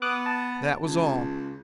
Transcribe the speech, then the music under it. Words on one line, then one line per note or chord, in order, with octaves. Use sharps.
That was all.
B3 D6 D#6 F#6
A5
C#2